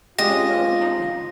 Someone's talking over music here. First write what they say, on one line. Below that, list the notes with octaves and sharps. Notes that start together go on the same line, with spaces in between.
"Then what would happen?"
G#3 F4 G4 D#5 A#6